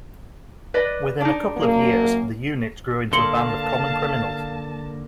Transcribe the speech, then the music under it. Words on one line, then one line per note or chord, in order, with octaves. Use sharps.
Within a couple of years, the unit grew into a band of common criminals.
B4 D5 D#5
D4 D#4
F#2 A#3
D3 A#3 F5 A5 C6 C#7 F#7